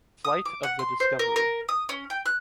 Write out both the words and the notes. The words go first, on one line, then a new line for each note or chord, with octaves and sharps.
Flight of the Discovery.
D#6
D6
F#5
C6
C5
A#4
A#4
D#6
C#4
G5
F#6